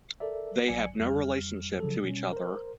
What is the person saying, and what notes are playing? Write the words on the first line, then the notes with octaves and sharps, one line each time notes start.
They have no relationship to each other.
A4 A#4 D5 E5
A#1 F#3 D5 G#5 C#7
F2 G3 F6
C#3 F3 F#3 G#4 A4
B2 G3 C#4
A#4 C5